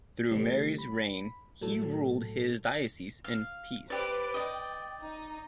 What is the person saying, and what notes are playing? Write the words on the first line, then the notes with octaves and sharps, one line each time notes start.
Through Mary's reign he ruled his diocese in peace.
C3 E3 G3 A3 C4
B5
A2 F#3 A4 A5
F5
G4 B4 C5 D5 D6
D5 D#5 G5
D#4